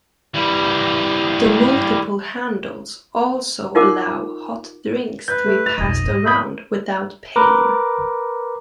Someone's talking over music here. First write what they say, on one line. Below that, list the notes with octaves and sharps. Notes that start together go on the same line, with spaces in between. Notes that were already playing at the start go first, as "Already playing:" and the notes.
The multiple handles also allow hot drinks to be passed around without pain.
E3 G3
D#4 F4 A#4 F#5 D6
B4 G6
A3
A6 F7
B1 F2 D#5
G#2
B5 D#6 G6
A#4 B4 D6